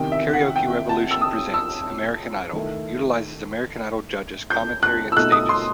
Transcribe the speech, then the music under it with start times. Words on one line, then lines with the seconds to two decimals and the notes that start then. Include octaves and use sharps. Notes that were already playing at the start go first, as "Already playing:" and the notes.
"Karaoke Revolution Presents: American Idol" utilizes American Idol judges, commentary, and stages.
Already playing: E2 C3 D#3 G5
0.12 E5
0.33 F#5
0.56 G5
0.89 A5
1.11 E6
1.21 D#6
1.54 E6
2.53 D#3 A3 E4
4.50 G6
4.83 F#6
5.12 E6
5.15 B2 A3 D#4 F#6
5.32 D#6
5.49 C6